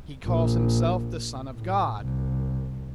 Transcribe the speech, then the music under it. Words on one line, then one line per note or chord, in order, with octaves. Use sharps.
He calls himself the son of God.
A#1
A2
C2